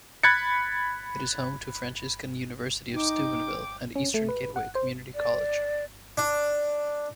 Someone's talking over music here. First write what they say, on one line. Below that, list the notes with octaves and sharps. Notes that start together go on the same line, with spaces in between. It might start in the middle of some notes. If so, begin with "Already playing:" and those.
It is home to Franciscan University of Steubenville and Eastern Gateway Community College.
B5 F#6 G#6 A6 C#7
D#4 G5 D6
C#4
A3
B4
F#5
C5
D5
D4